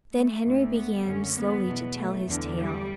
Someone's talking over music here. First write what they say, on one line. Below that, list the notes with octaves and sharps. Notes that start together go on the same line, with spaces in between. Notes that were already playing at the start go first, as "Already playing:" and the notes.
Then Henry began slowly to tell his tale.
A3
D2 D3
B3
F#2 D3 C#4
B3
E2 B2
A3
E2 D3
G3